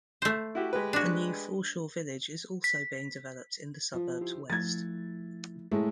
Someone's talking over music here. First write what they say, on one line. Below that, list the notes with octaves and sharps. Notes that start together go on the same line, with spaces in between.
A new foreshore village is also being developed in the suburb's west.
A3 C5
E4 F#4 G4
G#3 G4 B4
D4 F#4
B6
F3
E4 G4 C5
F3 A3 E4 G#6 A6
A2 G#3 A3 G#4 A#4